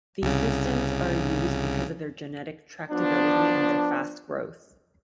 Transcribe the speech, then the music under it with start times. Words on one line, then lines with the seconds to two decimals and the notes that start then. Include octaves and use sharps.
These systems are used because of their genetic tractability and their fast growth.
0.22 C2 C#3
2.91 F3 B3 D4